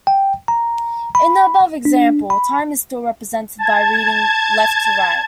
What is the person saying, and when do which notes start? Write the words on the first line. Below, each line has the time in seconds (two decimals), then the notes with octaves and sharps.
In the above example, time is still represented by reading left-to-right.
0.07 G5
0.48 A#5
1.15 B5
1.85 D4
2.30 B5
3.58 A5 G#6